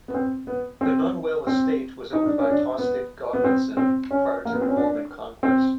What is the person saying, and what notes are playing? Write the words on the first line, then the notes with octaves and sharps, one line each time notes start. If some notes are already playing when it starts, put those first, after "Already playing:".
The Nunwell Estate was owned by Tostig Godwinsson prior to the Norman Conquest.
B3
C4
B3
C4
C4
D#4
D4
C#4
D4
B3
B3
C4
C4
C#4
A#3
B3
C4
C#4
D4
C4